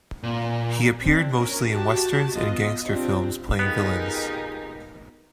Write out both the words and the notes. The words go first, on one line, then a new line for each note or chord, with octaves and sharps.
He appeared mostly in westerns and gangster films playing villains.
A#2
C4 D4
C#4 A#4
F#4 G4 A5
B3 F4 D#5
C4 D4 F4 G4
B3 D#4 F4 G4 G#4 A#4